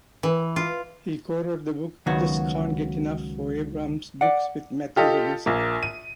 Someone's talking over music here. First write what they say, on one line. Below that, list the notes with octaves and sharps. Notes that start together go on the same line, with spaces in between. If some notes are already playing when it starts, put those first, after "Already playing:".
He co-wrote the book "Just Can't Get Enough" for Abrams Books with Matthew Robinson.
E3
F4
C#2 D#3 F#3 B3 F#4 C#5
D5 F#5
F4 G4 A4 D#5
A#1 A#3
D#7